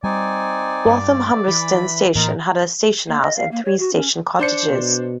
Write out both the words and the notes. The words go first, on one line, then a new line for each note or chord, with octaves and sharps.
Waltham Humberston Station had a station house and three station cottages.
G3 C4 D#4 D5 G#5
G2
E3 B5
A2 E3 A#3 D#4 F4 A#4
A#3
D#5
F5
A#3
C#5
F#4
C#4
D4 C5 C#7
B2